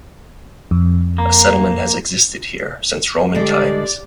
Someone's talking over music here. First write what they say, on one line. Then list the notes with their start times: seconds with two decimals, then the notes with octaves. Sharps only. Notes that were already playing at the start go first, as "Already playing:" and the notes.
A settlement has existed here since Roman times.
0.71 F2
1.18 A#3
3.35 D3 G3 G#3 G4 D5